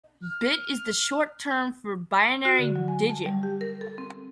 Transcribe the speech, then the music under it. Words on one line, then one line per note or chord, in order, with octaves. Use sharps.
Bit is the short term for binary digit.
F6
F#4
D3
F#3
G#5
A5
G3
G4
A#4
A4
C4